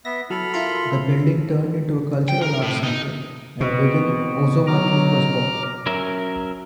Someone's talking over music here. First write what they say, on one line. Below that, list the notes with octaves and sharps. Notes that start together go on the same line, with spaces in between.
The building turned into a cultural arts center, and within it Ozomatli was born.
B3 E5 A#6
F#3 E4 A4 B5 F6
E4 F4 A#4 C6
G5
A#4
A2
D#4
B2 C4
F#3 A#5 D6 F6
F#3 C#4 A#4 E5